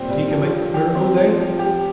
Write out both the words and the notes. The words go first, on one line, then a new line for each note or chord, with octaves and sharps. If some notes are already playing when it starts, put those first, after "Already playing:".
That he can make miracles, eh?
Already playing: A#2 G3 C4 G4
G3
F3
F3
G4
C4
F3
F3
G4